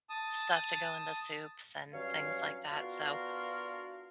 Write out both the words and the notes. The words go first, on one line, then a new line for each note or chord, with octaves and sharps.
stuff to go into soups and things like that, so
A5 D#6
G2 F#3 C#4 C#5 F5
B3 D4 F4 F#4 A#4 F5